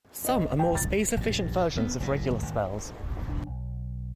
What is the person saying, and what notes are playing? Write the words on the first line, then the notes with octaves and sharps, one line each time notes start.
Some are more space-efficient versions of regular spells.
D#5
G5
A6
A#1 G2
D2 F#3 B3
F#1 A2
F#1
G#1
E1 D4
B1